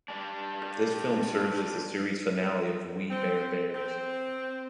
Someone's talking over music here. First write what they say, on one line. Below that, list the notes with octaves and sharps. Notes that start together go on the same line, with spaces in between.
This film serves as the series finale of "We Bare Bears".
G3 D4
C4
C4